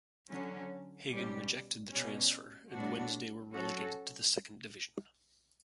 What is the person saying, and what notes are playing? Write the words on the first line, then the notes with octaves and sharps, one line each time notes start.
Hagan rejected the transfer and Wednesday were relegated to the Second Division.
D3 F#3 C#4
B2 G3 C#4 G4
B2 G3 C#4
A2 G3 B3 D4 F#4
F#3 C#4 F#4 A4